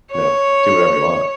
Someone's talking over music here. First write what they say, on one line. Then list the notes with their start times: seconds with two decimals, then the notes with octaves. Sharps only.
you know, do whatever you want.
0.12 C#5